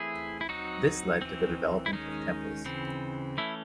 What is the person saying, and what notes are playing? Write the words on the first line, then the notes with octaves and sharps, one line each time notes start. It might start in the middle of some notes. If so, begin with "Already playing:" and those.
This led to the development of temples.
Already playing: E3 A3 C4 E4 G#4
E4
F#3 C4 D#4 F#4
E3 C4
E4
D#3 G#3 C#4 D#4
C#3 E3 C4
E3 A3 C#4 E4